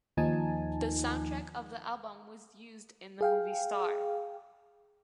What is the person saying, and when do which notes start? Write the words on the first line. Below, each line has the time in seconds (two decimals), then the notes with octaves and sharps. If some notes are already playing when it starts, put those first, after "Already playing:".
The soundtrack of the album was used in the movie Star.
0.17 D#2 F3 D#4 G#5 A5
3.21 G#4 F5 G5